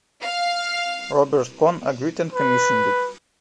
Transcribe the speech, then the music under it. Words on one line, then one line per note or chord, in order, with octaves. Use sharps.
Robert Kohn agreed and commissioned it.
F5
B4